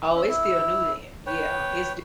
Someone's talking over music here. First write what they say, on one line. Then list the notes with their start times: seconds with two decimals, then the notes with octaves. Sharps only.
Oh, it's still new then, yeah, it's d
0.15 C#4 E4
0.29 E4
1.26 B4 C#5 G5